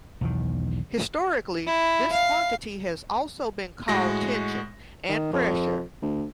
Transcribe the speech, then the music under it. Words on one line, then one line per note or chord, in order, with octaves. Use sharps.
Historically this quantity has also been called "tension" and "pressure".
B1 E2 D#3
E4
F5
A2 G#3 F#4 A#6
D#3
F2
D2